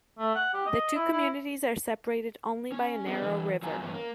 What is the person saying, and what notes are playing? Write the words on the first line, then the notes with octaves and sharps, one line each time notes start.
The two communities are separated only by a narrow river.
A3
F#5
G4
D#5
E4
E4
C#4
B3 G#4 B4 D#5
D3 E3
F#3 F4 G#5 A#5
E2 G2 C#4
A#3